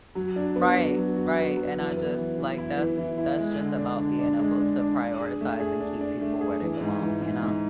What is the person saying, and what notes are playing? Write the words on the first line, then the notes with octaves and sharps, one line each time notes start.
Right, right and I just like that's that's just about being able to prioritize and keep people where they belong, you know?
F#3
D4
B3
F#4
F#3
F#4
B3
F#3
E3
B3
E3
E3
E4
E3
E3
E4
G#3
D3
D4
D3
D4
G#3
D4
D4
D4
G#4
A3
G#4
D4
D4
A3
G#4
E3
G#2
E3
G#2
G#2